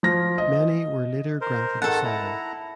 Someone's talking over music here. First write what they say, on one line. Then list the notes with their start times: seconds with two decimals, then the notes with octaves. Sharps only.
Many were later granted asylum.
0.03 F3 A#6
0.38 D#5
1.41 A#4 C5
1.82 G#2 D#3 A4 F#5 A5
2.04 E4 A#5